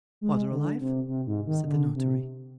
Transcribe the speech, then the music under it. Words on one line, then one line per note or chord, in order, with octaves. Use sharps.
'Father alive?' said the Notary.
G#3
D3
C3
C3
G#2
D#3
D3
C3